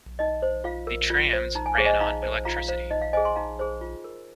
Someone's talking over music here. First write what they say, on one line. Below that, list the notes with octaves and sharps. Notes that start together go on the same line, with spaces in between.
The trams ran on electricity.
D#4 D#5
C5
F4 F5
A#4
F4
C5
D#4 A#5
G#5
G#4 C5 F5
D#5 G#5
D#4 F5 A#5
C5
F4 F5 A#5
F5
C5 F5
D#4 D#5
F5
G#4 C5 D#5 G#5
G#5 C6
D#4 F5 A#5
G#4 C5
F4
A#4